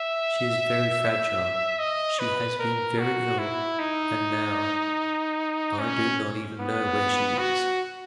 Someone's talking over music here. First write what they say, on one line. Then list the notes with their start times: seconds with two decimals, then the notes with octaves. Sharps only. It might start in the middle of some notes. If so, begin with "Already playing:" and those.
She is very fragile; she has been very ill, and now--I do not even know where she is.
Already playing: E5
1.79 D#5
2.19 B4
2.59 A#4
2.99 F#4
3.39 E4
3.79 D#4
5.79 C#4
6.60 B3
7.39 F#4